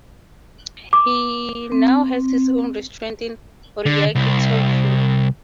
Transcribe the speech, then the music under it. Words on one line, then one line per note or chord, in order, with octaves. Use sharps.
He now has his own restaurant in Ariake, Tokyo.
D6
C4
D3
C2